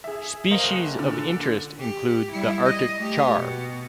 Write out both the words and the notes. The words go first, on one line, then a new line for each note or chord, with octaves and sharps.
Species of interest include the Arctic char.
G#4 E5
A#4 C5 D#5 F5
F#1
A#2 D3
G4
G3 E4
D#5
A3 G4
B2